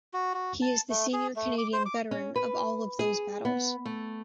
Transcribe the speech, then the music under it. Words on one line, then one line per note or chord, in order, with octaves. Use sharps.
He is the Senior Canadian Veteran of all of those Battles.
F#4
F#4
A5
A3
G#4
A3
D6
C5
D6
C#4
B4
G#4
B3
A3